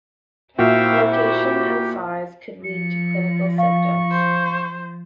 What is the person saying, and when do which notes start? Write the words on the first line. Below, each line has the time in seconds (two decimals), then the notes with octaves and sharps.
Location and size could lead to clinical symptoms.
0.59 A#2 C4 E4 F#4 E5 F5 G5
1.12 G4
2.64 F3 C#7
3.58 F5 C#6
4.11 C5